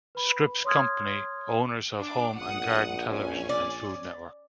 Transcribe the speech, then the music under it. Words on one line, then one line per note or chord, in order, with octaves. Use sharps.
Scripps Company, owners of Home and Garden Television and Food Network.
B4 B5
C#5 C6 D#6 F6 G#6
D4 D6
A#1 F#5 D#6
C#4 G#5
D5